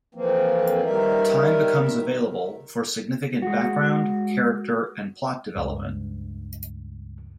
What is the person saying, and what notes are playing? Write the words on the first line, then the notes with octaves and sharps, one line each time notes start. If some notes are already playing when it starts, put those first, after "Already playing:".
Time becomes available for significant background, character, and plot development.
F2 E3 F3 A#3 C4
D#3 G3 A#4 E5
G#3 F#4
C#2 G2